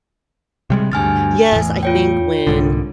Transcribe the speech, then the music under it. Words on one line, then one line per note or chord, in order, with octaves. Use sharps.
Yes, I think when,
C3 G3 G#3
D2 G2 G#5 F6 A6
E2 A2
F4 C#5 G5
C2 G#2 D3